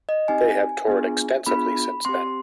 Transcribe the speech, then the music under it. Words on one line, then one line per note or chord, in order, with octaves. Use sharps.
They have toured extensively since then.
D#5
C4 D#4 G4 G#5
B3 D4 F4 G#4
B3 D4 F4 G#4 B5
C4 G4 C6